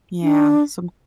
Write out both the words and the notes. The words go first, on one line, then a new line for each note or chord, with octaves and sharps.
yeah, so
D4